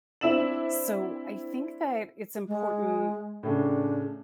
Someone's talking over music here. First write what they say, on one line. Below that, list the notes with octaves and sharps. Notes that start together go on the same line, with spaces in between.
so I think that it's important,
C4 D4 E4 E6 E7 F#7
G#3
A2 C#3 D4